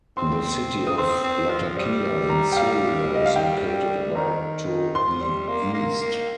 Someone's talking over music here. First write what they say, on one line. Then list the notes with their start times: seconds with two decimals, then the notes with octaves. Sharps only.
The city of Latakia in Syria is located about to the east.
0.17 C4 C6
0.87 D#6
0.98 C4 C6
1.24 C4
1.50 F3
1.77 G3 D#6
2.29 A#5
2.52 G5
2.57 F5
3.15 D#5
3.26 F5
3.36 G5
4.15 D#3 A#5
4.95 F3 C6
5.22 G3
5.48 A#3
5.74 A#3
6.01 A#3